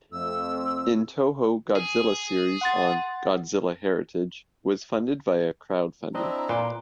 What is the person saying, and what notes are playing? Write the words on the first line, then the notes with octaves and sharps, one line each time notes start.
In Toho Godzilla Series on "Godzilla: Heritage" was funded via crowdfunding.
F2 A3 E6
G#4
F#5 C6 A6
C4 D4 E4 D#5 A#5
A#2 B4 C6 D6